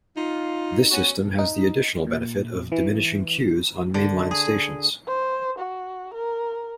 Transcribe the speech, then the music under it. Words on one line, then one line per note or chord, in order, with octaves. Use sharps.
This system has the additional benefit of diminishing queues on main line stations.
D#4 F4
B3 C#4 F#4
D#4
A#2
E3
D3
G#4
C5
F#4
A#4